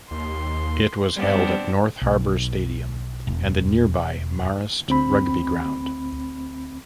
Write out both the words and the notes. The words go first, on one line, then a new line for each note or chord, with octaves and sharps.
It was held at North Harbour Stadium and the nearby Marist Rugby ground.
D#2 C6
G3 B3 C4 D4
B1
E1
D2 C4 B5